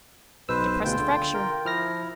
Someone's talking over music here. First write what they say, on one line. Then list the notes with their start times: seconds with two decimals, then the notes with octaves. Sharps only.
Depressed fracture.
0.49 B1 B2 B4 C5 E6
0.84 D2 B2 G#3 F4 G5
0.99 D3
1.34 A#4
1.65 F3 E4 F6 A#6